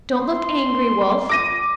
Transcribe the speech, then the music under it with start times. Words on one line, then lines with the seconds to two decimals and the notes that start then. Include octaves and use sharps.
Don't look angry, Wulf.
0.19 C6
1.29 D6 A#6 D#7